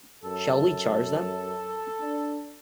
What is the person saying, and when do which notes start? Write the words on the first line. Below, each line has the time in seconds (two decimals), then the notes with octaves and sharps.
Shall we charge them?
0.24 F#2 A4
2.01 D4